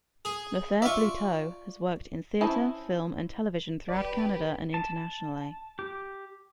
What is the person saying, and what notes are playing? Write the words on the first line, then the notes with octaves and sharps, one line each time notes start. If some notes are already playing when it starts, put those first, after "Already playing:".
Lothaire Bluteau has worked in theatre, film and television throughout Canada and internationally.
G#4
F4 D5 E5 C#6
C#4 E4 C5 D#5 G#5 A5
D1 G4 B4 D5
A5
G4